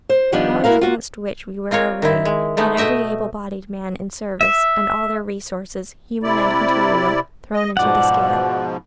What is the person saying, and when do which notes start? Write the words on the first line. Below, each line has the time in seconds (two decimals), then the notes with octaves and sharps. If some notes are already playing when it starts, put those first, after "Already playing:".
The powers against which we were arrayed had every able-bodied man in service and all their resources, human and material, thrown into the scale.
0.09 C5
0.32 D#3 F3 G3 B3 D4
0.64 E4 F#4 A#4 F5
0.81 F4 F#4
1.71 C4 F4 A#4 C#5
2.02 D#3 C4 E4
2.25 G#3
2.57 G#3 A3 B3 D#4
2.77 B2 A3 D#5 E5 G5
4.41 E5
6.23 C3 E4 D5
7.54 D#5
7.77 G#2 B2 F3 D5 F#5